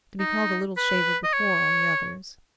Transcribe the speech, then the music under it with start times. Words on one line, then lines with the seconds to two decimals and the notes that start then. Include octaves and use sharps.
To be called "a little shaver" before all the others!
0.19 D#4
0.77 B4
1.24 D#5
1.33 C#5